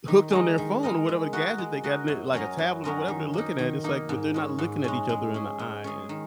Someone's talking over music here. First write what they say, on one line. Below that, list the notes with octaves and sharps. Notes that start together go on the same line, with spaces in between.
hooked on their phone or whatever gadget they got, l like a tablet or whatever they're looking at, it's like but they're not looking at each other in the eye and,
D#3
G#3 D#4 A#4 D#5
D#3
G#3 D#4 A#4 D#5
G#3
F#4 A#4 D#5
G#3
F#4 A#4 D#5
F#2
F#3 C#4 A#4 D#5
F#2
F#3 C#4 A#4 D#5
D#3
A#3 D#4
D#3
A#3 D#4
G#2
G#3 C#4
G#2
G#3 C#4
G#3
C#4 G#4
G#3
C#4 G#4
D#3